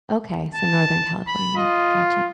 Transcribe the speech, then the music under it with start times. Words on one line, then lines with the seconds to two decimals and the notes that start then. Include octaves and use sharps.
Okay, so, Northern California. Gotcha.
0.55 A5
1.27 B5
1.56 F4 D#5